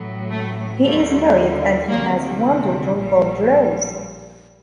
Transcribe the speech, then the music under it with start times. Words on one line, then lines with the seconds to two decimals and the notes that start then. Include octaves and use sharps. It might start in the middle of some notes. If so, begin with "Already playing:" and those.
He is married and he has one daughter called rose.
Already playing: A1 A2 F#3
0.30 A3
0.83 D#2 D3 G3 A3
1.89 D2 C3 D#3 A#3
2.95 A#1 A#2 G3